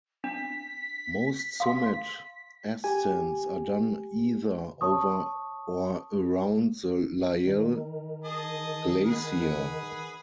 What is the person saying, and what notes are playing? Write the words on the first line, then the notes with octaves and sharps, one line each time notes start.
Most summit ascents are done either over or around the Lyell Glacier.
D4 B6
F5 C6
G4 G#5
C#5 A5 C#6 D#6
D#3
G#4 D#5 A5
G#4 B4 F#5